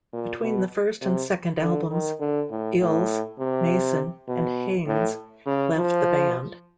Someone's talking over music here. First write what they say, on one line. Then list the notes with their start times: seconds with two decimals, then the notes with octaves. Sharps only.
Between the first and second albums, Eels, Mason, and Haynes left the band.
0.13 A#2
0.42 B2
1.02 C3
1.61 D3
1.91 D#3
2.20 D3
2.51 A2
2.79 A2
3.39 C3
4.29 B2
4.87 A2
5.47 C#3
5.76 F3